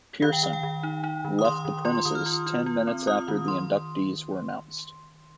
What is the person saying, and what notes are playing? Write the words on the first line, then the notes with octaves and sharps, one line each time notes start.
Pearson left the premises ten minutes after the inductees were announced.
D#3 F5
G5
D#3 F5
G5
D#3
D#4
D#4
D#3
D#6
D#3 C6
D#3
F4 C6
C6
D#3 D#6
F6
F4
F4
F4
C4
F4 D#6
D#3
D#3 C6